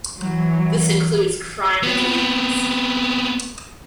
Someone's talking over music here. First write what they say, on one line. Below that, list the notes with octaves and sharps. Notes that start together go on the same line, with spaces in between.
This includes crime and delinquency.
E3 F#3
B3 C4